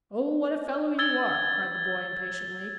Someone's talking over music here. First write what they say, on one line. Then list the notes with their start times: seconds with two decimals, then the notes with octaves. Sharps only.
"Oh, what a fellow you are!" cried the boy impatiently.
0.99 E6 G#6 A6 G7